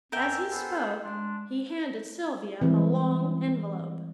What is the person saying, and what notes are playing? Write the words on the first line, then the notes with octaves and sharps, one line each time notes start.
As he spoke he handed Sylvia a long envelope.
F2 A#4 E5 G5 G#5 E6
B3 A4 C5
G#3 D4 C6
E3 G3 G#3 C4 E4 B4